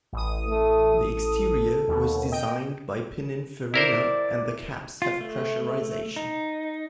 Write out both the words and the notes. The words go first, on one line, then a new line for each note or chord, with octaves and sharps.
The exterior was designed by Pininfarina and the cabs have pressurization.
A1 D#6
A3
A4
D#2 B2
D#5 G5
E4 A#4 C5 D5
F4
A3
D#4